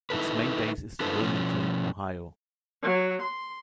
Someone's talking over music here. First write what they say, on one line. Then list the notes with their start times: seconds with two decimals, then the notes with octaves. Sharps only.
Its main base is Wilmington, Ohio.
0.10 D#4 E4 G#4 A4 B4
1.00 D4 E4 F4 A4 B4 C5
1.22 B2 F3 C#4
2.84 F#3
3.22 C6